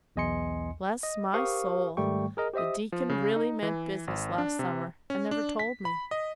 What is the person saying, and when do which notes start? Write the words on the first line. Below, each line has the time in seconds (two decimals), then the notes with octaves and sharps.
'Bless my soul! the Deacon really meant business last summer and never told me.
0.16 B1 E2 D#5 G#5 C6 C#7
1.03 D#5
1.34 G4 A#4 C5 F5 C#6 D#6
1.97 G#2 D#3 G3 A3 G5 C#6
2.37 G#4 A#4 D#5
2.54 G4 C5 D#5 E5 D#6
2.92 F3
3.09 C#3
3.36 D#4
3.63 E3
4.08 G#1
4.38 D4
4.59 C3
5.10 C#4
5.31 D4
5.59 B6
5.85 B5
6.11 D#5